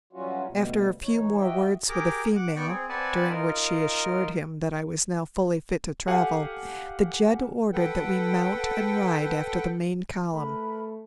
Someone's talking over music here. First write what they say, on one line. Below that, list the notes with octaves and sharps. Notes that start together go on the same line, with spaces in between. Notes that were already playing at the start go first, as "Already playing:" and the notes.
After a few more words with the female, during which she assured him that I was now fully fit to travel, the jed ordered that we mount and ride after the main column.
E3 F#3 G3 C#4 F4 F#4
D2 B2 G3
E3 D#4 C#5
F#4 G4 D#5 E5 G5
G4 G#4 A#4 G5 A#5 D6
F#5 D6
B3 D5 G5 C#6 D6
C4 G#4
C4 B4 D5 F#5 G#5 A5
D#4 F4 A#4
G4 A4 F5 F#5 G#5
A4 B4 F#5 G5
A3 A#4 B4 B5